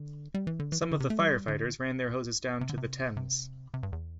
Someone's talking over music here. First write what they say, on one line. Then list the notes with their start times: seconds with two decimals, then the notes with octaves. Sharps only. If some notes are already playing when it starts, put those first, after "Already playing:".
Some of the firefighters ran their hoses down to the Thames.
Already playing: D3
0.34 G3
0.47 E3
0.60 D3
0.72 E3
0.82 E3
0.91 D3
1.00 C3
1.10 A3
1.19 G3
1.48 D3
2.61 C3
2.69 D3
2.78 C3
3.17 C3
3.74 C3
3.83 G2
3.93 E2